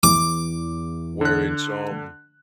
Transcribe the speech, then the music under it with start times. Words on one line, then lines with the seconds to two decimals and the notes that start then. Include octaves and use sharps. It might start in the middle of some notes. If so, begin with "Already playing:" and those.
where it's, um
0.03 E2 D6
1.21 D3 F#6